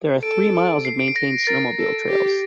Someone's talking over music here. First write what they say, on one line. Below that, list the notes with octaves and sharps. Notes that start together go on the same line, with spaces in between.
There are three miles of maintained snowmobile trails.
A4 D7
C7
D7
C7
A#6
A#4 A6
A4
G4